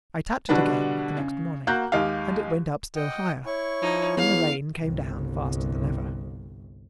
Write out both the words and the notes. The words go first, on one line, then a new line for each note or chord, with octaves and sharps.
I tapped it again the next morning, and it went up still higher, and the rain came down faster than ever.
B2 D3 G3 D4 F#4 B4
C#3
A#3 F#4 A#5 F#6 G6
D#2 G#3 G4 F5
D#5 F#5 G5
E4 C#5 C#6
F3 D#4
E2 F5
G1 C2